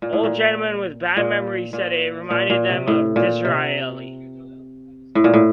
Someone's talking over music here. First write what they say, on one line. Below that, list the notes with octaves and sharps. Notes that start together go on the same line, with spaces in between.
Old gentlemen with bad memories said it reminded them of Disraeli.
A#2
A2
A#2
A#2
A#2
A#2
A#2
C3
A2
A#2
C3
A2
A#2
A2